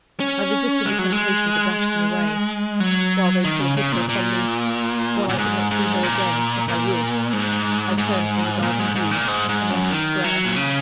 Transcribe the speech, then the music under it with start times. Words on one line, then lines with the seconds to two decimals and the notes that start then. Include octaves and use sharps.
I resisted the temptation to dash them away. While they still hid her from me--while I could not see her again, if I would--I turned from the garden view, and left the Square.
0.20 C#4
0.86 G#3
0.99 F#3
1.12 G#3
2.80 F#3
3.44 D#3
3.60 C#3
3.77 C#3
3.92 A#2
4.09 A#2
5.29 A#2
5.38 G#2
5.71 G#2
6.03 A#2
6.68 A#2
7.33 G#2
7.98 G#2
8.62 A#2
8.79 G#2
8.95 G#2
9.11 A#2
9.28 G#2
9.49 G#2
9.70 F#2
9.92 D#3
10.24 F#3
10.45 A#2
10.56 C#3